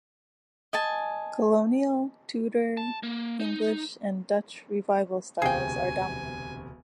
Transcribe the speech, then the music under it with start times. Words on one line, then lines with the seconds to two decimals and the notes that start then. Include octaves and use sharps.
Colonial, Tudor, English and Dutch Revival styles are dominant.
0.73 D#5 G#5 A5
2.77 A5
3.03 A#3
3.40 D#4
5.42 E1 D2 C3 G#4 G5 G#5